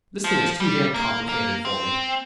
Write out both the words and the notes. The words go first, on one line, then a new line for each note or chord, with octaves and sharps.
This thing is too damned complicated for me.
F3
G3
A#3
A#3
C4